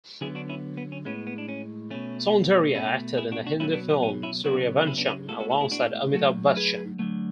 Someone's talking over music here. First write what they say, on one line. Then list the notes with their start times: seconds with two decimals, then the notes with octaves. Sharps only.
Soundarya acted in the Hindi film, "Sooryavansham", alongside Amitabh Bachchan.
0.21 D3 F#3 B3 E4 G#4
0.35 D4 F#4
0.49 C#4 E4
0.77 B3
0.92 C#4
1.05 A2 G#3 B3 C#4
1.27 B3
1.38 D4
1.49 C#4
1.91 B2 A3 C#4
2.75 B2 A3 C#4 E4
3.18 E4 G#4
3.32 D4 F#4
3.47 D4 F#4
3.60 B2 F#3 A3 C#4 E4
3.73 B3 D4
3.88 B3
4.03 C#4
4.23 C#4 E4
4.44 C#3 F#3 B3 D4 F#4
4.87 C#4 E4
4.97 B3 D4
5.08 C#4 E4
5.29 A2 G#3 B3 F#4 A4
5.40 F#4 A4
5.50 F#4 A4
5.61 E4 G#4
5.71 D4 F#4
6.14 D3 F#3 A3 F#4 A4
6.56 G#4 B4
6.99 D3 F#3 A3